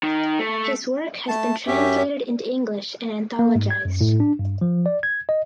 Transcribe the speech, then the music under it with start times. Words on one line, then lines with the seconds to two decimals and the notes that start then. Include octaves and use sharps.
His work has been translated into English and anthologized.
0.03 D#3
0.39 A3
1.28 A3 A5
1.67 F#2 C#4 G4 E5
3.39 A#3
3.55 G#2
3.70 G#6
3.85 F#2
4.01 A2
4.20 D4
4.39 G2
4.61 F3
4.86 D5
5.03 G#6
5.29 D#5